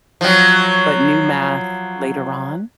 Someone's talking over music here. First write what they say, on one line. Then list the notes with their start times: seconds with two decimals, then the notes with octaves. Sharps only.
but new math later on."
0.21 F3 F#3